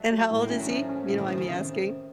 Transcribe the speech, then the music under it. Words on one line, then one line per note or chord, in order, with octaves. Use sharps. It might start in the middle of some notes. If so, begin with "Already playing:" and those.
And how old is he? If you don't mind me asking?
Already playing: F#3 A3
F#4
A2
A#3
A3 C#4
F#3
F3 C#4
C#4
A2 C#3
D#3
F3 C#4
C#3
C3 D#3